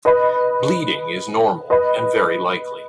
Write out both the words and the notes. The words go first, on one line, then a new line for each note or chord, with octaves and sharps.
Bleeding is normal and very likely.
B4 D#5
B4 D#5